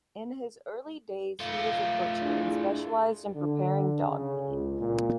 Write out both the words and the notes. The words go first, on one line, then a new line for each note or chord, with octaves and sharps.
In his early days, he was a butcher and specialised in preparing dog meat.
A3 F4
D4 E4 G#4
D3
C#3
C#2
A#2